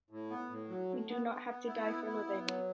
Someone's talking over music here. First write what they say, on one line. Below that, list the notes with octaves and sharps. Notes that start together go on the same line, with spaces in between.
We do not have to die for living.
A2
B3
A2
F#3
A2
B3
B3
B3
E4
B3
E4
B3
F#3